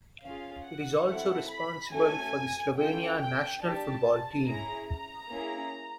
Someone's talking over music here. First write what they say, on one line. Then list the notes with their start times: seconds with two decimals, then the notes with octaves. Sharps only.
It is also responsible for the Slovenia national football team.
0.24 C#4 F4 G#4 F5
0.66 F#5
1.08 C4 E4 A4 F#5
1.50 B5
1.92 A3 C#4 F#4 A4 G#5
2.77 C#4 F4 A4 G5
3.19 G5
3.62 D4 G4 A5
4.45 C#4 E4 G#4 A#5
4.89 A#5
5.30 A#3 C#4 E4 G#4